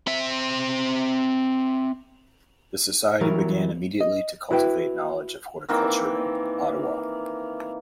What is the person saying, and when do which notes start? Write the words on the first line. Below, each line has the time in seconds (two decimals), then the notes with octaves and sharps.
The Society began immediately to cultivate knowledge of horticulture in Ottawa.
0.07 C4 E5
3.21 E3 F#3 G3 A#4
4.01 D#5
4.51 E4 F#4 B4 G5
5.69 D#3 E3 A#3 C4